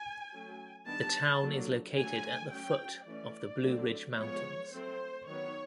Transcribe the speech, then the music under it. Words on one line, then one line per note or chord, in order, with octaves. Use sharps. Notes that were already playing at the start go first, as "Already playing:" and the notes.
The town is located at the foot of the Blue Ridge Mountains.
Already playing: G#5
F#3 A3 C#4
D#3 G3 B3 D4 A5
D3 F#3 A#3 D4
D3 F#3 A3 G#5
F#3 A3 C#4 G5
E3 A3 C#4 D5
D3 F#3 A3 C4
F3 G#3 B3 C#5
F#3 A3 C4 C5
D#3 F#3 B3 C#5